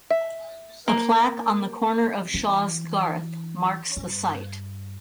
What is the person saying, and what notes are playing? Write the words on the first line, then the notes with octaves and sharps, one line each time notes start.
A plaque on the corner of Shaws Garth marks the site.
E5
A#3
E3
G2